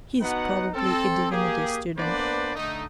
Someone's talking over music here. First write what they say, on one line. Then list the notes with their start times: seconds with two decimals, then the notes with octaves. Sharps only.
He's probably a divinity student.
0.21 B3 D#4 F#4 F#5
0.75 C4 A4
1.31 A#3 G4 G#4
1.98 A#3 B3 D4 B4 C5 D5
2.56 D3 A3 D#4